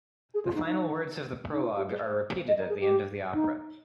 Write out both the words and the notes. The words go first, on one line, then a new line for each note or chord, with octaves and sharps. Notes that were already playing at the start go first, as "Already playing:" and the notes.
The final words of the prologue are repeated at the end of the opera.
G#4
F4
D#4
D#4
D#4
F4
G4
G#4
C5
D#5
A#4
G#4
G4
D#4